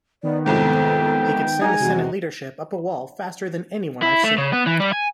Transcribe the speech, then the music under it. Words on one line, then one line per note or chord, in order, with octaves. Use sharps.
He could send the Senate leadership up a wall faster than anyone I've seen.
D#3 B3 D5
C2 F2 G#2 A4 G5
G#3 D#4 G4 F#5 G#5 A#5
E2 C3 F#4
E4
A3
C#3
B3
E3
G3
G#5